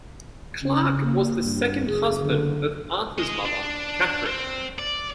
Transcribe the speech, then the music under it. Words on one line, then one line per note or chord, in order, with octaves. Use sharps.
Clarke was the second husband of Arthur's mother Katherine.
C#3 C#4
A#3
G2
F#1 G#4
D3
G#3 D#5
D4
C4
D5